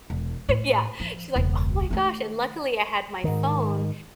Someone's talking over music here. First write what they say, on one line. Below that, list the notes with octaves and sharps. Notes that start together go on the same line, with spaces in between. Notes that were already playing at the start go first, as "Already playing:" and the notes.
Yeah, she's like, "Oh my gosh" and, luckily I had my phone
E1
A2
F3
E1 C#2
D#3 A3
G#2 D#3